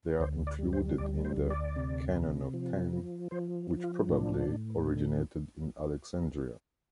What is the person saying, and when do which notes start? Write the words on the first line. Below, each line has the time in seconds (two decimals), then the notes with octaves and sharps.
They are included in the "Canon of Ten", which probably originated in Alexandria.
0.20 D2 C5
0.47 D5
0.59 G3
0.73 C5
0.98 D2 D5
1.25 C5
1.37 D2
1.50 D5
1.76 C3
2.15 C3
2.54 F3
2.93 F3
3.31 F3 C5
3.71 F3
3.84 F4
4.09 A2 D4
4.48 A2
4.87 D3